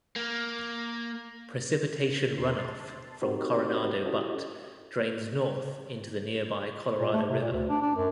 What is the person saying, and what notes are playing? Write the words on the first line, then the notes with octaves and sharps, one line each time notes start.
Precipitation runoff from Coronado Butte drains north into the nearby Colorado River.
A#3
E2 B2 D3 A#4 C6
A5 C6
C4 D#4 F#4 G4 A#4 C5
C#4 E4 F#4 G4 A4 D#5
A#2
A3
C3
A#2
D2
D4
D4
F#2